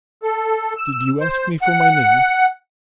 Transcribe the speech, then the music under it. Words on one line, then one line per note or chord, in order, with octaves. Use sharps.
"Did you ask me for my name?"
A4
E6
C5
F#5